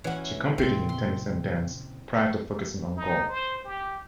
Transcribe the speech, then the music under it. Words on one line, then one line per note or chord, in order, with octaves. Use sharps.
She competed in tennis and dance prior to focusing on golf.
E3 C#4 F#4
A#2 C#3 C4 C6
C6
D#4
C5
G4